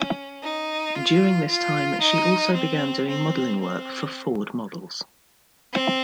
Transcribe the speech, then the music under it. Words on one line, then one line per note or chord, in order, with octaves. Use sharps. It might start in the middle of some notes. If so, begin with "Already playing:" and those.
During this time, she also began doing modeling work for Ford Models.
Already playing: C#4
D#4
F4
F4
D#4
C4
C4
C4
C4